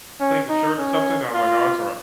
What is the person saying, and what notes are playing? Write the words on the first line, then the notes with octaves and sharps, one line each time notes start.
clean the shirt or something?" I was like, "No, it's alright."
C#4
D#4
C#4
F4